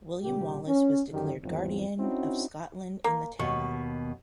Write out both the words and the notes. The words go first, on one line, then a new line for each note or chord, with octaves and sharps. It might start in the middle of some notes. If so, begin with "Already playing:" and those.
William Wallace was declared guardian of Scotland in the town.
A#2 C#3 G3 G4
C#4
F#2 D3 D#3 D4 G4
G#1 E2 F3 F#3 C4
C4 C#4 D#4 E4 F#4
A#3
D#2 B2 C#6